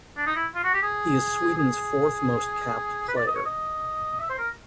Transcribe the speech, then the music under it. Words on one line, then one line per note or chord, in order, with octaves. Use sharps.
He is Sweden's fourth most capped player.
D4
D#4
E4
F4
F#4
G4
G#4
G#4
B4
D5
D#5
C#5
D#5
E5
C5
A#4